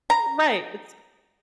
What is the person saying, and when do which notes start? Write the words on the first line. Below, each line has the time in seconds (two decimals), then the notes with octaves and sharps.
Right, it's
0.10 A#5